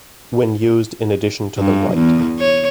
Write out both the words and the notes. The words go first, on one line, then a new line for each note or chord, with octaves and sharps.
When used in addition to the right.
G2
E2
C#5